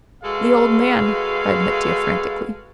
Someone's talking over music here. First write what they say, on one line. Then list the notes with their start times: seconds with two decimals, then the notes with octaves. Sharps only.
"The old man!" cried Mitya frantically.
0.23 G#3 F#4 A4 B4 F5